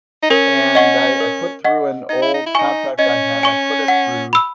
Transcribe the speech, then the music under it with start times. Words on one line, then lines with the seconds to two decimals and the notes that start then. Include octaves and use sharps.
and I I put through an old contract I had I put it through,
0.23 D#4
0.30 C#4 A#4
0.75 D#5 F#5 C#6
1.20 A#4
1.64 D#5 F#5 C#6
2.09 D#4 D#5
2.22 E4
2.34 D#4
2.46 E4
2.55 D#4 G#5 C#6
2.98 C#4 D#5
3.43 G#5 C#6
3.88 F#5
4.33 B5 E6